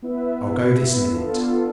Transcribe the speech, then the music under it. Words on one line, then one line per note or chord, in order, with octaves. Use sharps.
I'll go this minute.'
B3 E4 B4 E5
B3 D4 F4 A4